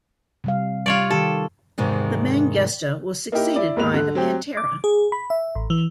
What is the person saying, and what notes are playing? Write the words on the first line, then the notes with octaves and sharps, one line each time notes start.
The Mangusta was succeeded by the Pantera.
C3 G3 F5
G3 F4 C#5 D5
D#3 G4 A4
E2 G#2 C3 D#3 G#3
A#3 D#4 E4 G4 A#4
E4 D5
D#2 G#2 A#3 B3 B4 F7
D3 F#6
F#3 C4 G4
D6
G#4
B5
E5
A1
E3